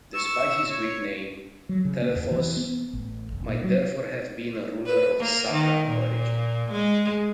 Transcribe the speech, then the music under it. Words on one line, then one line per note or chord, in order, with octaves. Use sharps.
Despite his Greek name, Telephos might therefore have been a ruler of Saka origin.
C#6 E6
C#5
F#3
C#3
A#3
E2
E3
B3
A1
F1
A#2
F#3
B4
A#3
D#3
A#2
G#3